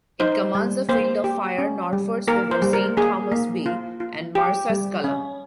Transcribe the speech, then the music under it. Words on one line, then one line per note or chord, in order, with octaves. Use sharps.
It commands a field of fire northwards over Saint Thomas' Bay and Marsaskala.
D#4 C5
G3
A#3 C5
G4
C#4
G3
A#3 A#4
C5
G3
A#4
A#3 G#4
A#3
F4
F4
G4
G3
C#4